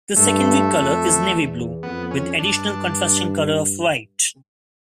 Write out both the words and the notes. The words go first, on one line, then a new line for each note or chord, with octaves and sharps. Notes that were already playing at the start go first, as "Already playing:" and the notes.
The secondary colour is navy blue, with additional contrasting colour of white.
G2 A3
F2
E2
F2 B3
C#4
G2 D4